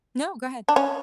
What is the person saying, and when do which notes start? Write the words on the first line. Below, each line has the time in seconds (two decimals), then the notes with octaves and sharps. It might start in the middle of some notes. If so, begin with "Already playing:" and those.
No. Go ahead.
0.68 D4
0.76 C#4